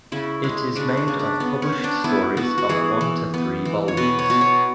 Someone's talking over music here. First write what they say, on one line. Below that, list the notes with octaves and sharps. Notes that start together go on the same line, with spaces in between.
It is made of published stories of one to three volumes.
C#3 E4
G#3
C#3 D4
D4
C#3
D4
B3
C#4
B3
D4
B3 E4
B3 F#4
F#4
E3 G#4
E3
B3
E3
C#5
B2 B4
C#5
B2
C#5